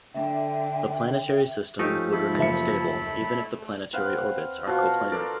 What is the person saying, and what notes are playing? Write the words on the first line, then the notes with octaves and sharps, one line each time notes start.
The planetary system would remain stable even if the planetary orbits are coplanar.
D3 E5 G5
F3 A3 C#4 D#4 G4
E4 A4 B5
F#1 E5 C#7
C4 B4 F5 F#5
B2 F3 F#4 F5
A4 A#4 D5 A#5